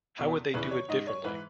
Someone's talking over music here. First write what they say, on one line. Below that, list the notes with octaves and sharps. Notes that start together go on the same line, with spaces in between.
How would they do it differently?
E2 B2
E2 C#3 E3 B4
C#5
G#2 D#3 D#5
C#5
G#2 E3 B4